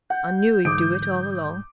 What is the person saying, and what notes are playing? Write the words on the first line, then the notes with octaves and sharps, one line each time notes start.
I knew he'd do it all long.
F#5 G6
G#2 D3 E3 F#3 D6 D#6 D7